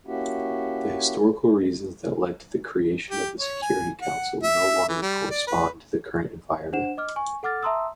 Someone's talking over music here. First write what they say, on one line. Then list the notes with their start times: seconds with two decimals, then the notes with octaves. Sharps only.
The historical reasons that led to the creation of the Security Council no longer correspond to the current environment.
0.07 A#3 C#4 E4 F#4 G4
3.11 G4
3.40 C#5
3.62 G#5
4.02 F#5
4.43 E5
4.89 E3
5.02 G3
5.31 D5
5.48 B4
6.73 D4 C5 F#5 E7
6.98 D#5 D6 F6
7.16 G#5 C#6
7.43 A4 F#5 D6 F6 A6
7.63 E5 A5 A#5 C6 D#6 E6